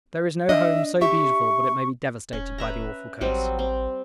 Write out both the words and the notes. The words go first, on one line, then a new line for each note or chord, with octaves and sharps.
There is no home so beautiful but it may be devastated by the awful curse.
D4 D#5 E5
G4 E5 C#6
E1 C#4
B4 E5 A#5
A1 F#3 G3 C4
C4